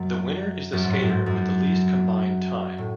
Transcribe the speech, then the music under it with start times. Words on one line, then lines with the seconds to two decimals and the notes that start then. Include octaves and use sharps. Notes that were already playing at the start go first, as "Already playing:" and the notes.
The winner is the skater with the least combined time.
Already playing: F#2
0.73 F#2
0.84 G#2
0.92 A2
1.02 F#2
1.09 G#2
1.26 F#2
2.78 A2